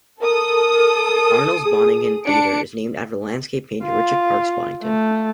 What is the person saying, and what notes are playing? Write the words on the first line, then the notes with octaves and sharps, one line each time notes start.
Arnold's Bonington Theatre is named after the landscape painter Richard Parkes Bonington.
A4 A#4 D#6
G#4
D4 C#7 D7
F4
A3